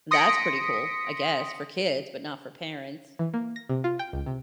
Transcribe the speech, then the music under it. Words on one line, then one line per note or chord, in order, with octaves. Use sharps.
That's pretty cool, I guess for kids, but not for parents.
C6 D#6 A#6 B6 C#7 D7
E3
A#3
A#6
C3
F4
G5
C#2
C3